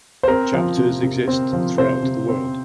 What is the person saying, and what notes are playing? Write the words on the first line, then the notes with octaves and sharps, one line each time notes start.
Chapters exist throughout the world.
C5
C4 A#4
F3
C3
C3
C4
F3
C3 C5
C3
C4